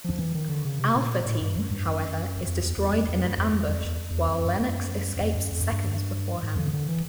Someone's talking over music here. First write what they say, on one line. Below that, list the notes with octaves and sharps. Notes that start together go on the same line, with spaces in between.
Alpha Team, however, is destroyed in an ambush while Lennox escapes seconds beforehand.
F3
E3
D#3
D3
C#3
C3
A#2
A2
G2
F#2
G2
F#2
F2
E2
E2
F2
F2
F#2
F2
F2
F2
E2
E2
F2
F#2
F#2
F#2
F2
F#2
F2
F#2
G2
G#2
D3
D3
E3